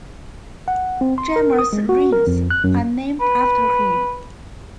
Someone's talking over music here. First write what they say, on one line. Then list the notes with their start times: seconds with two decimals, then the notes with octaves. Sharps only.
Gemma's rings are named after him.
0.68 F#5
1.01 C4
1.18 C6
1.36 A#4
1.59 D#6
1.73 G#3
1.89 F#4
2.13 A#4
2.27 F2
2.50 F#6
2.64 F#2
3.21 B4